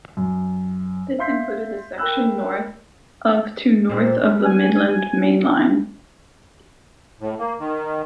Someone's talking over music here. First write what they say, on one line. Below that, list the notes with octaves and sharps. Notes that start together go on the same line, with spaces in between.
This included the section north of to north of the Midland Main Line.
F#2
E5 F5 C6 G6 B6 C7
A#4 G5 B5 E6 F#6
A#2 C4
G3
G#5
A2
A#3
D#3